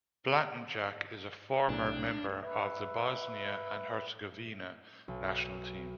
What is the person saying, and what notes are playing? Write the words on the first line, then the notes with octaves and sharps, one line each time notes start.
Blatnjak is a former member of the Bosnia and Herzegovina national team.
B1 A2 C3 D4
B4 E5
B1